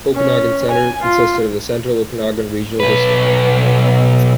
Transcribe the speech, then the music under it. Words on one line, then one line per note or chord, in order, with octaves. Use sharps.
Okanagan Centre consisted of the Central Okanagan Regional District.
C#4
G#5
F4
B1 B4